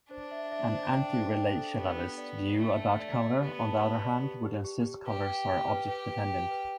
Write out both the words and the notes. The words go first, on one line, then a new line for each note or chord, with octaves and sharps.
An anti-relationalist view about colour, on the other hand, would insist colours are object-dependent.
D4 C5
E5
E5
C5
G5
C5
G5
A4
B3 G4
D4
D5
D5
A3 D4
D4
D5
D5
B3 G4
A5
A5
D5
G4
G4
G4
G4
G4 B4
G5
G5
B4
G4 B4
B4
G5
B4